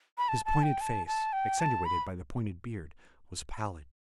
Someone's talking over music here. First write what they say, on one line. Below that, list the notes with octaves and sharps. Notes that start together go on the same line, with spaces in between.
His pointed face, accentuated by the pointed beard, was pallid.
B5
A5
A5
G5
A5
A5
G5
A5
B5